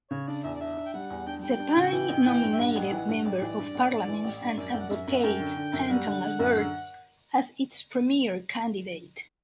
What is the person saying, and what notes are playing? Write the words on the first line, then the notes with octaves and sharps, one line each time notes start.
The party nominated Member of Parliament and advocate Anton Alberts as its premier candidate.
C#3 C#5
D4 D5
E2 E5
D5
D4 E5
D4
G5
G3 F#5
E2
D4 G5
G3 G5
D4
C#3
E3
A1
E3
G2
E5
G2 F#5
A1
E3
G2
A1 D5
E3
G2
A1
G2
E3
A1
G2
F#2 D5
F#2 G5
F#5
F#2 E5
F#2 F#5
F#2 G5
D3
D3
F#2
G3 F#5
D3
D3
F#2
D3